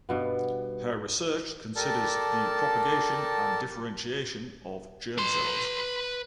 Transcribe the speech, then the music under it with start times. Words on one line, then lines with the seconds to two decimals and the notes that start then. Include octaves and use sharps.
Her research considers the propagation and differentiation of germ cells.
0.09 G2 B2 B3
1.76 G4 A4 A#4 D5 A5
5.18 B4 C6